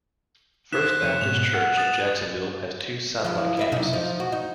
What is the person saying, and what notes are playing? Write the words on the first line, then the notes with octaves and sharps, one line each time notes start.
First Baptist Church of Jacksonville has two satellite campuses.
D#4 C5 F#6 B6 E7
F2 G#4 C#5 D#7
G#2 B2 F7
F#5
D#6 A6 E7
F3 E4
E4 C#5 E5
F#2 C3 D#4
F3 D#4
F#4
D#4